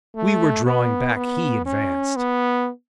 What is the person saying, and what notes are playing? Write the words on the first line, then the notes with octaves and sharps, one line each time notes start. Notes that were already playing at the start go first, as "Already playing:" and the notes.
We were drawing back, he advanced!
A3
B3
B3
C#4
B3